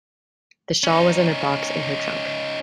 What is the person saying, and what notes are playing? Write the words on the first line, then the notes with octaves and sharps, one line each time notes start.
The shawl was in a box in her trunk.
C#4 D#4